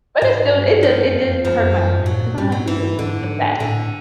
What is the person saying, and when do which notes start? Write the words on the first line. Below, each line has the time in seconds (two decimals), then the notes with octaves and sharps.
But it still it does it does hurt my feelings 'cause I'm like, we were just the best.
0.22 G#2 F#3
0.52 G2
0.83 F3
1.05 F#2
1.14 F2
1.45 F#2 F3
2.00 G#2
2.06 A2 F#3
2.21 A#2
2.37 G#2 G3
2.45 G2
2.52 G#2 F#3
2.67 G2 E3
2.99 G#2 D3
3.60 A2 D3